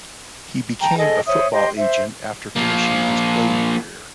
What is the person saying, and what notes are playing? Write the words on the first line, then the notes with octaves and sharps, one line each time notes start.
He became a football agent after finishing his playing career.
G5 A5 A#5
G#4 A4 D#5
C5 C#5 E5 D#6
G4 D#5 C6
C5 E5
F3 A#3